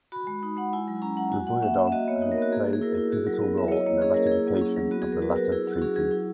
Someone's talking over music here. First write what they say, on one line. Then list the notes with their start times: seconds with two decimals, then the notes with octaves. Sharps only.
Griboyedov had played a pivotal role in the ratification of the latter treaty.
0.12 F#4 B5
0.27 G#3
0.43 D#4
0.57 G#3 F#5
0.73 E4 G#5
0.88 F#3
1.02 C#4 A#5
1.17 F#3 F#5
1.32 F#4 G#5
1.47 A#3 F#5
1.62 C#4 E5
1.78 A#3
1.87 E5
1.92 F#4 D#5
2.07 B3 C#5
2.22 D#4
2.32 A#4
2.38 B3 F#4
2.52 A#3 G#4
2.67 A#3
2.73 G#4
2.82 E4 A#4
2.98 E4
3.12 F#4 G#4
3.27 F#3 A#4
3.42 B3
3.58 F#3 E5
3.68 C#5
3.71 E4 D#5
3.87 A#3 C#5
4.01 C#4 G#4
4.14 A#3 A#4
4.27 G#4
4.32 E4
4.47 F#3
4.61 C#4 G#4
4.76 F#3
4.91 B3 F#4
5.02 G#4
5.07 B3
5.12 A#4
5.22 F#4 B4
5.36 F#4 A#4
5.52 E4 G#4
5.67 F#3
5.73 F#4
5.81 C#4 G#4
5.96 F#3 G#4
6.11 E4